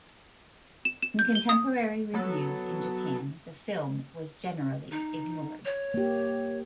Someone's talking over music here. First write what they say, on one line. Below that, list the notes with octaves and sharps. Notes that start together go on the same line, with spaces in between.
In contemporary reviews in Japan, the film was generally ignored.
E7
E7
G6
G7
D#6
F#3 B3 A4
D#4
C#5
A#3 G4